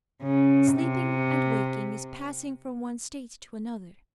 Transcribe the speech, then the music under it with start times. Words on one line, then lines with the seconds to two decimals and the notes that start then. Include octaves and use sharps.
Sleeping and waking is passing from one state to another.
0.23 C#3
0.74 C3